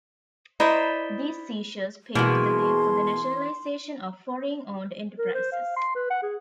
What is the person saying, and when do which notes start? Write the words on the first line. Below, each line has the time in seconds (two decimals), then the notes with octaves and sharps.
These seizures paved the way for the nationalization of foreign-owned enterprises.
0.60 E4 C5 D5 D#5 A#5 B5
2.15 B2 E3 A#3 F#4 G#4 C6
5.18 A#4
5.34 C5
5.52 F5
5.76 C6
5.95 B4
6.10 F#5
6.23 G#4